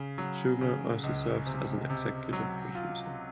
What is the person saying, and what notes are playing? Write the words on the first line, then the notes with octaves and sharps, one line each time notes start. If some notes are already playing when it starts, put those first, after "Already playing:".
Schumer also serves as an executive producer.
Already playing: C#3
F#3
C#3
C#2
C3
C3
F#3
F4